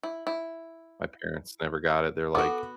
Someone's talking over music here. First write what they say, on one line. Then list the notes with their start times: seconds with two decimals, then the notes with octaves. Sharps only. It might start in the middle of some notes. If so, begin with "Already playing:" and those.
my parents never got it, they're, like,
0.03 E4
0.27 E4
2.35 B3 F#4 A4 D6